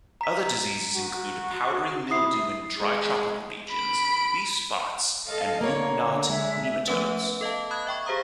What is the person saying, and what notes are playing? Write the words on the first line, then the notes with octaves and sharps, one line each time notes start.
Other diseases include powdery mildew in dry tropical regions, leaf spots, and root-knot nematodes.
A#5 B6
F#4
E4 D#6 C7
G#3 G#4
B5 D7
A4 D#5 F5
D3 A#3 C#5
G#3 E5
F3 A3 B3 C#4 B4 E5
B4
A4 D#5 F5 A5
B5 D#6 F#6 G#6
E5 G5 C#6
G4 G#4 C5 F5 A#5 D#6